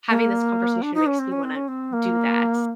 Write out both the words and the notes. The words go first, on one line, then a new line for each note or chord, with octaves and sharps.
having this conversation makes me wanna do that.
A#3
D4
D#4
C#4
C4
C#4
C4
C#4
C4
A#3